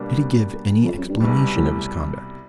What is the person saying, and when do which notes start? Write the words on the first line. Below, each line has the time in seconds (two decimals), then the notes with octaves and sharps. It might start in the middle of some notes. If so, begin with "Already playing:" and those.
"Did he give any explanation of his conduct?"
Already playing: B2 G3 A#3 D4
0.85 F2
0.98 F#2
1.09 G2
1.20 C2 G#2 B2 G3
1.56 A2